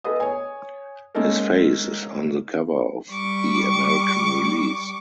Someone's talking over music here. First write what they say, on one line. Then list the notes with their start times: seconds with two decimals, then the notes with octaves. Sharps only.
His face is on the cover of the American release.
0.04 G#4 A4 B4 D#5 D#6
0.20 C#5 G#5
1.15 G#3 A#3 C#4 D#4 A4 A#4
3.10 G3 C#6 D6